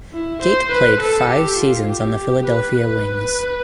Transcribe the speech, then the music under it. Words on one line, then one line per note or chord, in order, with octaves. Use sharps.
Gait played five seasons on the Philadelphia Wings.
E4
C5
B4
A4
G4
F4
G4
B4
B4